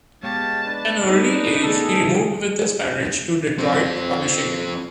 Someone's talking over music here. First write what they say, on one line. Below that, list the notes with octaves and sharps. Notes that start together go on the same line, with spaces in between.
At an early age he removed with his parents to Detroit, Michigan.
G#3 B3 G4 C#5 F5 A5
D4 B4
G3 B3 D#4
A3 B3 G#4 A4
F3 C4